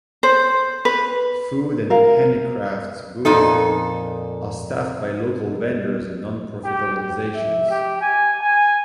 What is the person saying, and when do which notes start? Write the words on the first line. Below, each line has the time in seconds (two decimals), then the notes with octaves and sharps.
Food and handicrafts booths are staffed by local vendors and non-profit organizations.
0.23 C5
0.85 B4
1.90 A#4 F5
3.25 F2 A#2 D#4 A4
6.64 G4
6.99 G4
7.35 E5
7.70 G4
8.01 G#5
8.41 G#5